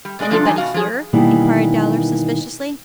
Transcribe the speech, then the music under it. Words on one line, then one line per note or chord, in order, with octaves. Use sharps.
'Anybody here?' inquired Dowler suspiciously.
G3
B2 G#3 G#4 D5 D#5
C3 F3 D4 F4 A4
E3 D#4 G#5 A5
B2 F#4 F5
F3 G#4
B2 D#3 E3 G3 A#3